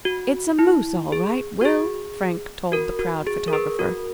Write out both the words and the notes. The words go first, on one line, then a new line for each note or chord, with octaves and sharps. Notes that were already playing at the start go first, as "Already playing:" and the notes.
"It's a moose, all right, Will!" Frank told the proud photographer.
F#4
E4
G#4
F#4
G#4
F#4 A#4
F#4
G#4
A#4
G#4 B4
F#4 A#4